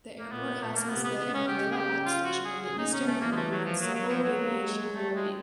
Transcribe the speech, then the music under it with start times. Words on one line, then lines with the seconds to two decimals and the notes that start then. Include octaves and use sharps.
The airport houses the Anguilla Outstation of the Eastern Caribbean Civil Aviation Authority.
0.20 A#3
0.32 A#2 B3
0.61 A#2 A3
0.76 A#3
0.90 C3 B3
1.04 B3
1.19 C#3 B3
1.34 C#4
1.48 G4
1.72 G#4
1.77 G4
2.06 F4
2.25 F#4
2.45 G#4
2.64 C#3 G#4
2.78 D#4
2.93 C#4
3.08 A3
3.21 E3 A#3
3.32 G#3
3.36 A3
3.51 F#3
3.65 F3
3.80 F#3 A#3
3.95 F#3
4.09 F3 B3
4.23 F#3
4.38 A#3
4.66 G#3
4.95 G3 A3
5.16 G#3